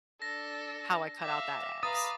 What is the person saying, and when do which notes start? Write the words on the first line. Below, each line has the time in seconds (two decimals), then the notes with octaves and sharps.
how I cut out that ex.
0.22 D4 A4 A#6
1.22 E5 F5 D6 E7
1.83 B4 F5 A#5 D#6 A6